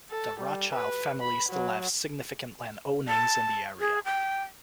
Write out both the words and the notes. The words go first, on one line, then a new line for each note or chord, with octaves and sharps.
The Rothschild family still have significant land ownings in the area.
A4
G3
B4
B5
F#3
A5
G#4
G5